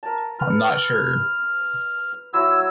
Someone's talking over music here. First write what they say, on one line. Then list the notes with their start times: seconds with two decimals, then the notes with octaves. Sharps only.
I'm not sure.
0.03 A#4 A5
0.39 B4 F6
2.33 F#3 E4 E6